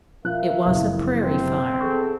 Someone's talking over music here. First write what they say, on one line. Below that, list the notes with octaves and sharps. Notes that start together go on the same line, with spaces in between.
It was a prairie fire.
F3 A#4 E5 F5 F#6
F#1 F2 E3
C3 C4
E2 G#4 A4 C#6